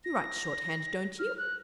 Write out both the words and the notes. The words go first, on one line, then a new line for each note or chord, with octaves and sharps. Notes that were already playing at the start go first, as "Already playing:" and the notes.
You write shorthand, don't you?'
A#6
F6
F#6